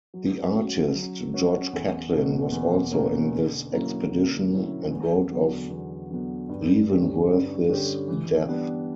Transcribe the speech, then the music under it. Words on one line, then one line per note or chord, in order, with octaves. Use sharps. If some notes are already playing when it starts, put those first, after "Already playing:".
The artist George Catlin was also in this expedition, and wrote of Leavenworth's death.
F#3
C#4 F#4
F#3
C#4 F#4
E2
B2 A#3 C#4
E2
B2 A#3 C#4
D3
F#3 A#3 C#4 E4
D3
F#3 A#3 C#4 E4
E2
D3 F#3 B3
E2
D3 F#3 B3
G2
D3 G3 C#4 G4
G2
D3 G3 C#4 G4
E3
G3 B3 D4